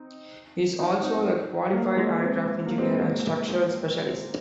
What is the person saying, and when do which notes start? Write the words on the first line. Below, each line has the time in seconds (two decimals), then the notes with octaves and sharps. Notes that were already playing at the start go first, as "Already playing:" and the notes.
He is also a qualified aircraft engineer and structural specialist.
Already playing: C4 D#4
0.79 D#4 F#4
1.02 C4 D#4
1.73 F#3 A#3
1.96 F3 G#3
2.20 G#3 C4
2.66 F#3 A#3
2.78 G#3 C4